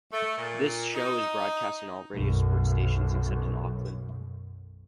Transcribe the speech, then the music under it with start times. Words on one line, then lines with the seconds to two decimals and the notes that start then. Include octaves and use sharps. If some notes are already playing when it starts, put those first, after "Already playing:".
This show is broadcast on all Radio Sport stations except in Auckland.
0.13 A3
0.38 A#2
0.94 D#4
2.13 B1 F#2